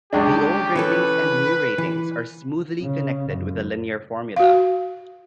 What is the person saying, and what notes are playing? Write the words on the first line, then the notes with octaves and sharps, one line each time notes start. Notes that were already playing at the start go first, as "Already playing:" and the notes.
The old ratings and new ratings are smoothly connected with a linear formula.
C#2 G#3 D4 G4
E3 C#4 A4 B4
E3
C#3
F#2
F#4 F5